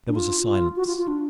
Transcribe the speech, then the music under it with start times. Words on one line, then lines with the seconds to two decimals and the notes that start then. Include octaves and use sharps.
There was a silence.
0.08 D4
0.15 F4
0.47 F4
0.76 F#4
0.87 F4
0.97 F4
1.08 D4